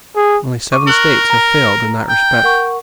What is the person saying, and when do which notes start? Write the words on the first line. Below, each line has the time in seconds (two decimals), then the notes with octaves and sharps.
Only seven states have failed in that respect.
0.16 G#4
0.72 C#6 D6 D#7
0.87 A#4 C#6 F#6 F#7
1.30 A#5
2.09 G5
2.44 A#4 F#5 C#6